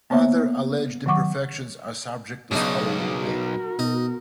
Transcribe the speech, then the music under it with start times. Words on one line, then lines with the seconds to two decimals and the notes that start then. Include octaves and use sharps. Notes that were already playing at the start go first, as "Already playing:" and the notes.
Other alleged imperfections are subject to scholarly debate.
0.10 A#3 B3 C5 C#5 E5
1.06 D#3 F#3 F#5 C#6 D6
2.51 B1 G#2 C#3 B3 D4 D#4
2.99 F#4 A#4
3.79 B2 D#4